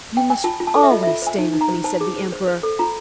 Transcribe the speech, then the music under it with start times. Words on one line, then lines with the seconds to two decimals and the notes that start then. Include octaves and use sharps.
"You must always stay with me," said the Emperor.
0.17 G5
0.30 G#5
0.44 F4 A5
0.60 F4
0.67 A5
0.75 A4
0.83 E5
0.91 F4 D#5
1.03 F4 E5
1.22 C5 G#5
1.38 D#4
1.53 D#4
1.61 A#5
1.69 C5
1.84 C5 A5
2.01 G#4
2.16 C5
2.32 C5
2.47 C5
2.63 A4
2.79 F4 A#5